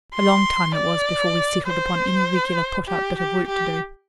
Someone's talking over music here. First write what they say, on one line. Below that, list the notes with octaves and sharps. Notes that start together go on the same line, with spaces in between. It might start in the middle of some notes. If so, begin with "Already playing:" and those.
A long time it was before we settled upon any regular put-up bit of work to do.
C6
D5
C5
G4
G4
G4